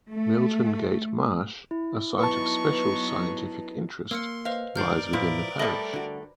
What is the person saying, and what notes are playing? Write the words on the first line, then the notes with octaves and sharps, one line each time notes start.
Milton Gate Marsh, a Site of Special Scientific Interest, lies within the parish.
A3
E4
F#3 B3 D#4 B4 A5 C#6
A#3 C6 E6 F6 C#7
B4 C5 D#5 F5
D2 G#2 D3 A#4 D5 F6 G6 C7
A2 F3 E4 B4 C5
G3 A3 A4 D#5 B5 A#6 G7
D3 F#4